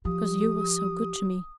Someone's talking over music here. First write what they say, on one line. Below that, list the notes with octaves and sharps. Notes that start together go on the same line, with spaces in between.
"Cause you was so good to me."
F3 G4 D#6